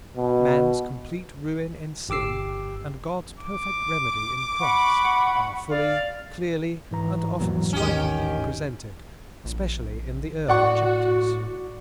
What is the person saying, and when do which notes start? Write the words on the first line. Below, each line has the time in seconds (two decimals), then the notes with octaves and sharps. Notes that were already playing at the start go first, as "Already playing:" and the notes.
Man's complete ruin in sin, and God's perfect remedy in Christ, are fully, clearly, and often strikingly, presented, especially in the earlier chapters.
0.17 B2
2.09 G1 G4 D6 E6 C7
3.39 D6
4.60 F#5 B5 C#6
5.71 D5 F5
6.91 G#2 E3 A#5
7.40 E2 A#2 F#3
7.73 A1 D#2 D#3 C#4 G4
9.45 A#1
10.48 A2 F#4 D5 F#5 C#6